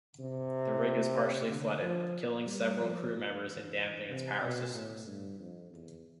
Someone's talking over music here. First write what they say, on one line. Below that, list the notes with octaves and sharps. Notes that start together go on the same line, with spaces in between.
The rig is partially flooded, killing several crew members and damaging its power systems.
C3
D3
F3
G3
F3
E3
C3
B2
A2
G2
F2
E2